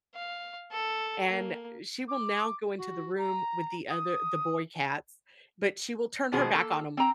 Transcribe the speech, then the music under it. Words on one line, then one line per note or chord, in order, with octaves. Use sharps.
and she will now go into the room with the other the boy cats, but she will turn her back on 'em
F5
A4
A#3
D6
F#4
A#5
D#6
B2 D#3 F3 F#4 G#4 C5
A#3 A4
C4 G5 A#5